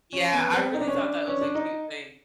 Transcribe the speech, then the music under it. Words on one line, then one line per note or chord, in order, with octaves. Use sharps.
Yeah, I really thought that was a cute thing.
C#4
B3
C4
D#4
D4
C#4
D4
C#4
D4
D#4